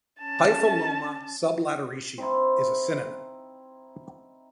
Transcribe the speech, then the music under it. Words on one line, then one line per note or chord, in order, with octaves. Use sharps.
"Hypholoma sublateritium" is a synonym.
C#4 A5
C4 D#4 E4